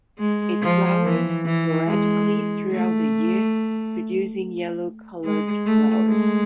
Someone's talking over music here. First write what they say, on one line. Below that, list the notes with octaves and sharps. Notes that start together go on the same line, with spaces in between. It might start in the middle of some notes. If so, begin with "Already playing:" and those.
It flowers sporadically throughout the year producing yellow coloured flowers.
G#3
F3
E3
E3
G#3
A3
G#3
A3
G#3